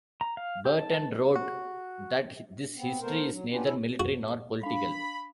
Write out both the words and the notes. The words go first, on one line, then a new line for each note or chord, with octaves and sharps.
Berton wrote that this history is neither military nor political.
A#5
F5
G4
A5
F#4
B3 C4
A3 B3 A#4 C5
F#3
B3 C#4 D4 F4 G4 B4
E4 A4 G#5
F#4
D4 F5 B5